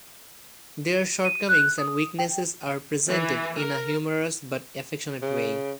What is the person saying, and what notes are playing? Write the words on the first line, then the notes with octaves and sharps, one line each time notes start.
Their shortcomings and weaknesses are presented in a humorous but affectionate way.
D#7
F#6
D#6
G5
E3
A#4
C#3